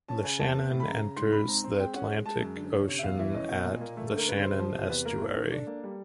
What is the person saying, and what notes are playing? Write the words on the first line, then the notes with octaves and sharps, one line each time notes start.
The Shannon enters the Atlantic Ocean at the Shannon Estuary.
C#4 A5
C#3 G#5
E2 A5
B3
A2
B5
C#3 A#5
C#3
G#2 C6
G#2 B5
C4 A#5
C4
G#3 G5
C#4 F#5
G#3
G#3 A5
F#2
D3
C#4
C3
E5
E2 F5
E3 E5
C#4 D#5
B2
A#2
A#3
A3 A4
A4
D3
A#4
C#3 B4
C#3 C5
F3
C3
E2 B4
A#3 A#4
E4 A4
D#3
D4
A#3
G3